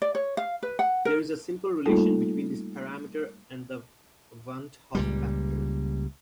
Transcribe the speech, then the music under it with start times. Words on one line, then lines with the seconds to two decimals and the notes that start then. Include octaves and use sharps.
There is a simple relationship between this parameter and the van 't Hoff factor.
0.02 D5
0.15 C#5
0.37 F5
0.63 B4
0.79 F#5
1.05 A#4
1.86 G3 A3 A#3 D#4 F4 A4
4.95 C#2 A#2 G3